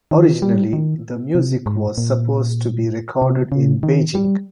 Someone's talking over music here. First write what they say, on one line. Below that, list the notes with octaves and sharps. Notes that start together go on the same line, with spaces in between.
Originally the music was supposed to be recorded in Beijing.
D#3
G3
D#3
C3
G#2
A#2
C3
C#3
D#3
G3